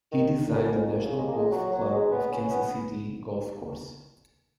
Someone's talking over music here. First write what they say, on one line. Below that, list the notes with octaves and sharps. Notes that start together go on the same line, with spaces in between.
He designed the National Golf Club of Kansas City golf course.
D#3
F#2
F2
F#2
C#3
G#3
A#3
G#3
F#3
F#3
G#3
B3
C#4
B3